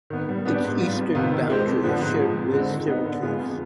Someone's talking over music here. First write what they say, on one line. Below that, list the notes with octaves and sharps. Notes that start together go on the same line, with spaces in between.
Its eastern boundary is shared with Syracuse.
D#3 B3
G3
B3 D4 G4
G#2
G3 B3 F4
F2
C3 D#3 B3 F4
D#3
G#3 C4 G4 C5
F2
D3 F3 B3
G#2
F3 G#3
F2
D3 G#3 C4
D#3
B3 D#4
D3
G#3 B3 F4 G#4
F2